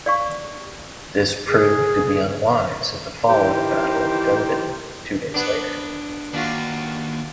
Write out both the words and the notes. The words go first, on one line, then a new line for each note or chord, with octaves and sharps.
This proved to be unwise at the following Battle of Gumbinnen two days later.
D5 F5 C#6
G#4
E3 D#4 G4 A#4 C5
B3 D4
D#2 D4 F4 F#4